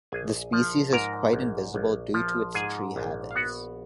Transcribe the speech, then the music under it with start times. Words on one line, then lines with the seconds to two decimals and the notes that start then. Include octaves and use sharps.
This species is quite invisible due to its tree habits.
0.12 A#1 G#4 G#5
0.53 F3
0.93 G#2 A#4 A#5
1.33 A#1
1.74 A#1
2.14 F3
2.54 G#2 G#4 G#5
2.96 A#1
3.31 F5
3.35 B3 F#4 F#5